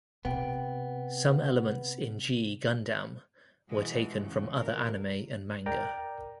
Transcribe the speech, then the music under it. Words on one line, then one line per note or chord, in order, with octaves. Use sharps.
Some elements in "G Gundam" were taken from other anime and manga.
C3 B3 G5
B2 E3 G#3
E2 C#3
B2 F4 A#4
A#4 D5 G5 A#5